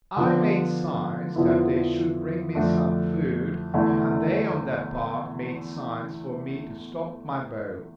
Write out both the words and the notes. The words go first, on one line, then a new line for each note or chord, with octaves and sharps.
I made signs that they should bring me some food, and they on their part made signs for me to stop my boat.
D3 F3 B3 D4 F4
F2 D3 F3 B3 E4
F2 D3 A3 D4
E2 D3 A3 E4